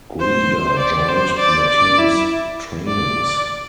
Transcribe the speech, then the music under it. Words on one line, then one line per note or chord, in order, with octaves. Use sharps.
Grieder joined the team’s trainings.
C5
D5
C5
D5
D5
E4
D5